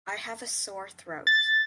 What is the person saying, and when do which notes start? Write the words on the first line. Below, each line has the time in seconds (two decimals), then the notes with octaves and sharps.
I have a sore throat.
1.27 A6